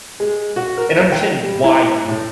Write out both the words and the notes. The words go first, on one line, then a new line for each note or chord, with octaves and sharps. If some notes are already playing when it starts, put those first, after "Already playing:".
and understanding why you're doing it.
G#3
F#4
A#4
G5
G3
E4
A2